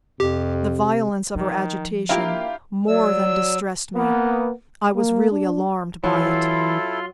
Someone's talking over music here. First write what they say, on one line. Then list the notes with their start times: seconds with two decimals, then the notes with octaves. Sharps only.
The violence of her agitation more than distressed me--I was really alarmed by it.
0.20 F2 C3 G4
1.35 D#3 F3
2.09 A#3 E4 F4 G4 G5 A#5
2.88 F#3 D5 E6
3.95 A#3 B3
4.96 A#3
5.32 D4
6.04 E3 F#3 E4 F4 A4 C6